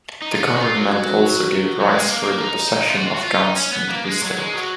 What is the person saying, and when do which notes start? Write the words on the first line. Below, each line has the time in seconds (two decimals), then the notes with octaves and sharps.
The Government also gave rights for the possession of guns in the estate.
0.22 D#4
0.33 F4
0.44 F#4
0.54 D#4
0.60 F4
0.77 F#3
1.80 F#3
1.91 G#3
2.08 A#3
2.25 A#3
2.41 D#4
2.90 F4
2.98 F#4
3.07 F4
3.15 F#4
3.23 F4
3.39 D#4
3.56 C#4
3.72 B3
3.88 A#3
4.05 G#3
4.22 F#3
4.38 G#3
4.54 F#3